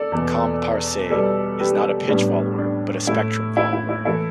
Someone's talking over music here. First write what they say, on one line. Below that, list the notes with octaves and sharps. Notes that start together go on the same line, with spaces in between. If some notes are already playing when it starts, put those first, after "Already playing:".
ComParser is not a "pitch-follower", but a "spectrum-follower".
Already playing: A4 D5
E2 B2 B3
B2 G3 B3 A4 D5
G4 B4
A2 G3 B3 D4
D4
A2 A3 E4
E4
E4
E4
E3 A3 E4 A4